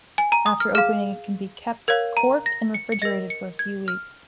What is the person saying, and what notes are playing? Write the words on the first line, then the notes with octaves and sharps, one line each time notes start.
After opening, it can be kept, corked and refrigerated, for a few weeks.
G#5
A#5
D#6
F6
G#4 F5 F6
A#4 C#5 F5 G#6
A#5
A#6
C#7
C#7
A#4 D#5 A#6
C#7
G#6
F6